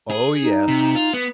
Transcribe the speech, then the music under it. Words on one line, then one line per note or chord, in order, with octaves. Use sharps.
Oh yes.
G#4
D#4
C3
F4
B3